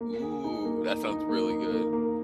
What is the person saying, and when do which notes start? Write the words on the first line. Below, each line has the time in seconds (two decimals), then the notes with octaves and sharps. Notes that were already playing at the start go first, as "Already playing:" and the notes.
Ooh, that sounds really good.
0.01 A#3
0.22 G#4
0.44 D#4
0.65 A#3
0.86 D#4
1.08 D#4
1.29 A#3
1.50 D#4
1.71 A#3
1.93 A#3